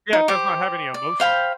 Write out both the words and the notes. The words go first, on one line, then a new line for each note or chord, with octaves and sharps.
Yeah, it does not have any emotion.
D#4
G4 C5
D5
C5 F5 G5 B5